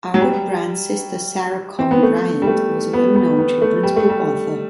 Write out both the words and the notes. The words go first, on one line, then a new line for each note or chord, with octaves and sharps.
Albert Bryant's sister, Sara Cone Bryant, was a well-known children's book author.
F#3
G3
C4
B3
A3
G3
A3
B3
B3
B3
A3
G3
A3
G3